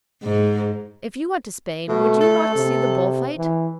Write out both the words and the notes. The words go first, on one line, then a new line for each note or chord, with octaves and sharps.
If you went to Spain, would you not see the bull-fight?
G#2
B2 A3
A4
C3
E3